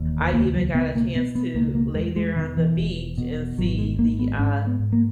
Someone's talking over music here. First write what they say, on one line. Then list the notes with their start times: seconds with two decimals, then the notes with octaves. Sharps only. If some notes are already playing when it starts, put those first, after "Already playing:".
I even got a chance to lay there on the beach and see the, uh
Already playing: E1 D#2
0.33 C#2 A#3
0.55 F#3
0.74 B2 B3
0.95 A#3
1.15 B2 B3
1.35 B3
1.55 C#2 A#3
1.75 A#3
1.95 E2 G#3
2.16 G#3
2.36 B2 D#3
2.57 E3
2.77 E1
3.18 B2
3.58 G#1 F#3
3.78 G#3
3.99 G#2 A#3
4.19 B3
4.39 G#2 C#4
4.67 B3
4.79 G#2
4.92 A#3